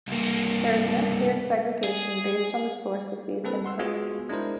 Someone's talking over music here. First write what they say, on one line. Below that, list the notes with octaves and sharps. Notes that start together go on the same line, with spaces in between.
There is no clear segregation based on the source of these inputs.
C2 A#3
G#4
A#3 C4 A4 B4
F#5 C6 E6
G#3 B3 F4 F#4 G#4
G#3 D4 E4 A#4 C5